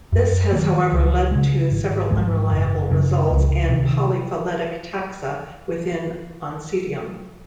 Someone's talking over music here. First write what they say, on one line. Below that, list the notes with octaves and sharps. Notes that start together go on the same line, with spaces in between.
This has however led to several unreliable results and polyphyletic taxa within "Oncidium".
F#2
D#3 F#3 A#3
C#2
C#3 G#3
G#1
G#2 F3 G#3
F#1
F#2 C#3
C#2
C3 D#3